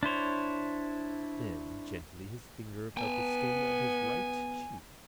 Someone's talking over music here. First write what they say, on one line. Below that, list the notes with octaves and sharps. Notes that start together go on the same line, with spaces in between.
Then gently his finger felt the skin of his right cheek.
D4 E4 C5 C#5
B3 G5 G#5